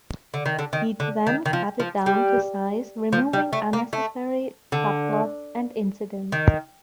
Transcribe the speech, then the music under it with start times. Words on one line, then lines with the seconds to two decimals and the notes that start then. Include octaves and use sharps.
He'd then cut it down to size, removing unnecessary subplots and incidents.
0.34 D3
0.46 D#3
0.59 D3
0.73 D#3
1.00 D3
1.27 D#3
1.46 D#3
1.53 F3
1.80 F3
2.06 G3
3.13 F3
3.33 G3
3.53 A3
3.73 A#3
3.93 A3
4.72 D3
6.32 D#3